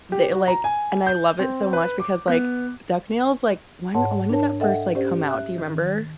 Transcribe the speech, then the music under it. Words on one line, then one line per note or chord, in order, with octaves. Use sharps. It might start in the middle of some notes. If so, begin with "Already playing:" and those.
the like and I love it so much because like duck nails, like, when when, eh, did that first, like, come out? Do you remember?
G4
F#4
A#5
G#5
G6
C4
B4
D6
B3
G#2 C#5 F#5 A5
D4 A#4 C#5 A5
A4 D#5 E5 F#5 G5
C#4 G4 C5 D5
E5 F#6
D#3